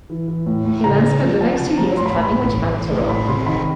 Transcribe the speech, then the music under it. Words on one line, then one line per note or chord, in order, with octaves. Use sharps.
He then spent the next two years planning which bank to rob.
E3
E3
A2
A2
C#3 A#5
C#3
F3
F3 A5
C3 A5
F3 A#5
A2 C6
B5
A2 A#5
B5
A2
E3
E3
A2
G3 B5
C3 C6
D#3 B5